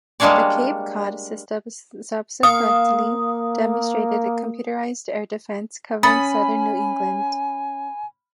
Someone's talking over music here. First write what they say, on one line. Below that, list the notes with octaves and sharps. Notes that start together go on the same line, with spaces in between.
The Cape Cod System subsequently demonstrated computerized air defence covering southern New England.
G3 G#3 A#3 D4 C#5 D5
A#3 F5 D#6
C#4 G#5 B5 D#6 A6 C#7